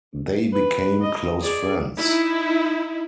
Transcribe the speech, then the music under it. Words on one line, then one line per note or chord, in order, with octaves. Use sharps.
They became close friends.
B4
D#5
G#4 D5
D#4 E4